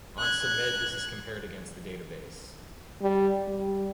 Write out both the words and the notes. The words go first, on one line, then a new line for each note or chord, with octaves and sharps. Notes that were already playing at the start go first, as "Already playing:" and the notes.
On submit, this is compared against the database.
F#6 G#6
G3
G3